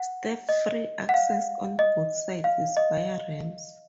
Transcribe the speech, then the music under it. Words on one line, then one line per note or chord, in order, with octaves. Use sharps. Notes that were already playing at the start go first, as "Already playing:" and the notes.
Step-free access on both sides is via ramps.
Already playing: F#5
D#5
F#5
F5
D#5
F5
D#5